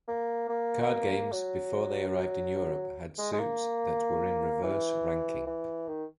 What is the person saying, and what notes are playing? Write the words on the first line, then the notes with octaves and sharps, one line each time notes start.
Card games, before they arrived in Europe, had suits that were in reverse ranking.
A#3
A#3
F#3
F#3
G#3
G#3
A#3
E3
E3
D#3